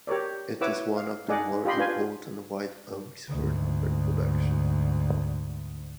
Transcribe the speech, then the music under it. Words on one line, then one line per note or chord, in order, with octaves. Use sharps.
It is one of the more important white oaks for lumber production.
G4 A#4 C#5 D5
E4 B4 C#5 F#5 D6 E6
F5
D#4 G#4 D5 D#5 F#5
F4 G4 D#5 B5 C6
D4 F4 B4 G#5
D2 G#2